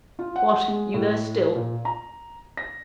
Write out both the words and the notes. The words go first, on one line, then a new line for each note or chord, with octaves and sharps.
'What! you there still!'
F4
F#5
G#3
A2
A#2
A#5
A#6